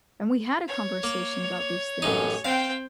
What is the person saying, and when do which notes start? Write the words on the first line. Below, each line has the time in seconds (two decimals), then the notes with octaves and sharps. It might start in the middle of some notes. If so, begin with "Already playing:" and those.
And we had a conversation about these things,
0.68 C#5
1.03 A#3
2.02 A1 F#2 D#4
2.45 C4 F5 G5